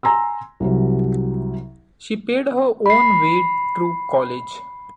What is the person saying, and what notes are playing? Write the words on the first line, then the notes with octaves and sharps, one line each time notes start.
She paid her own way through college.
G#5 A#5 C6 E6
C2 C3 F#3
B5 C7